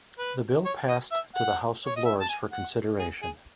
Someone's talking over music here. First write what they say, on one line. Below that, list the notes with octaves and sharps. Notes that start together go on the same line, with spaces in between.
The bill passed to the House of Lords for consideration.
B4
C#5
D#5
E5
F#5
C#5
D#5
E5
A5
G#5
F#5
G#4
G#4